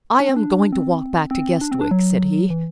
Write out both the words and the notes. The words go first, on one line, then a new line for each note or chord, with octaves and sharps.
"I am going to walk back to Guestwick," said he.
D4
C4
D4
C4
C4
D4
C4
D4
F#3
E3